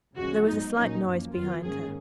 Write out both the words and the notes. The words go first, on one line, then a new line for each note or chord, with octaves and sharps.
There was a slight noise behind her.
D#2 C#3 F3 G#3 C#4 F#4
G#2 F#3 B3 D#4
A#2 F#3 A#3 C#4 D#4
F#2 F3 A#3
F2 D#3 F#3 B3 F4
G#2 D#3 A#3 C#4 G#4